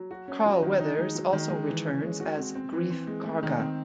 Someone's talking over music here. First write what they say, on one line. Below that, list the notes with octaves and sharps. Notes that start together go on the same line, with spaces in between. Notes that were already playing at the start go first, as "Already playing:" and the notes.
Carl Weathers also returns as Greef Karga.
Already playing: F#3
F#4
C#4
F#3
D#3
D#4
G#3
F#3
D#3
G#3
E3
C#4
G#3
F#4
C4
C4
E3
C4
G#3
A3
D#3
C4